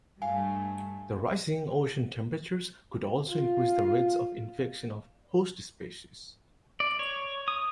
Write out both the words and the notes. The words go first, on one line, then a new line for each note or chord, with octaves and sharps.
The rising ocean temperatures could also increase the rates of infection of host species.
G2 A3 F5 G#5
F4
D5
C#5
D#6